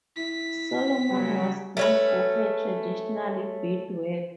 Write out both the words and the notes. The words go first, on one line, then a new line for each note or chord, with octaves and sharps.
Solomon was known for her traditional beadwork.
E4 B6
C#3 F#3 G3
A3 C#4 B4